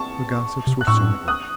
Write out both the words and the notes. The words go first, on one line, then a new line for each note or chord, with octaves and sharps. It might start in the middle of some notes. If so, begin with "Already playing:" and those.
The gossips were soon at work.
Already playing: A5 C#6
C3
F#6
A2 C#6 E6
D#6 F#6